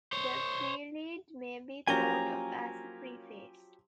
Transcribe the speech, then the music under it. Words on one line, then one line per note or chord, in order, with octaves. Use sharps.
The prelude may be thought of as a preface.
C5 C#5
F3 F#3 A#3 C#4 G4 G#5 A#5 G7